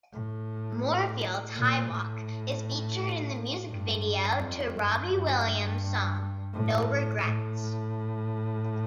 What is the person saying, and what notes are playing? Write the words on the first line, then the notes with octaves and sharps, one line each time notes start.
Moorfields Highwalk is featured in the music video to Robbie Williams' song "No Regrets".
A2
A#2
A2
G2
F2
G2
G2
A2
A2